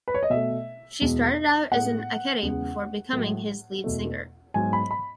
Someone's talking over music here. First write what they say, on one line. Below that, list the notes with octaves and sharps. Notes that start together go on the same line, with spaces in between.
She started out as an Ikette before becoming his lead singer.
B4
C#5
D#5
B2 A3 E5
E2 B2 G#3 B3
A2 G#3 B3 F#5
E2 C#3 G#3 B3
A2 F#3 A3
E2 B2 A3
G#2 F#3 B3 G#5
B5
B5